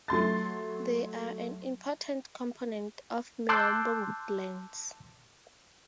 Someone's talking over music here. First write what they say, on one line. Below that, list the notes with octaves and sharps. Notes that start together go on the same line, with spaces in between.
They are an important component of miombo woodlands.
F#3 A3 C6 A6
A5 C6 D6 E6 F#6 G6